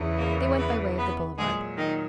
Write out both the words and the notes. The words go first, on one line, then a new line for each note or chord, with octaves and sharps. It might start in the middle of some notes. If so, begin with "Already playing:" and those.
They went by way of the boulevard.
Already playing: E2 C#3 E3
A#3 A#4
B3 B4
B3 B4
A#2 F#3 G#3 G#4
D#3 D#4